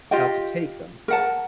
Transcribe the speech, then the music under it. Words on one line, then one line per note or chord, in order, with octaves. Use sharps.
how to take them.
F4 G4 D#5 G5
A#4 F#5 A5